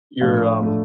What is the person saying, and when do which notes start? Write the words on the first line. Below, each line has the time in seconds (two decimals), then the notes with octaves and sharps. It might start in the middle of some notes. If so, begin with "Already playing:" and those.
you're, um,
0.21 A2 F3 A3 D4 F5
0.61 A2 F3 A3 D4